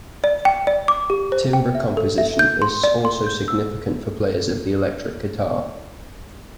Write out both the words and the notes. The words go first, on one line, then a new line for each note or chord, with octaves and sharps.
Timbre composition is also significant for players of the electric guitar.
D5
G5
D5
D6
G4
C5
G5
E5
A4
E5
G6
C6
D5
C6
G6
E6